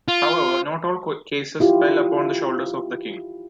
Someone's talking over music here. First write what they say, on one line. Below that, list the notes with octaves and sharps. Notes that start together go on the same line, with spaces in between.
However, not all cases fell upon the shoulders of the king.
F4
E4 F4 G4